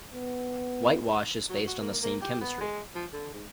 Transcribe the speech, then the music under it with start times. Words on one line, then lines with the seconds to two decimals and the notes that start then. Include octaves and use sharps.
Whitewash is based on the same chemistry.
0.15 B3
1.49 F#3
1.67 F#4
1.80 A#3
2.03 A#3
2.22 G4
2.41 B3
2.61 G#3
2.95 F3
3.13 D3
3.33 G#2